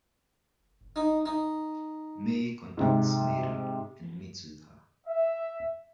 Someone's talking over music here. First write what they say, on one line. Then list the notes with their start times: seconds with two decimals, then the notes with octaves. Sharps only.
May contacts Mary and meets with her.
0.96 D#4
1.26 D#4
2.77 G#2 C3
5.07 E5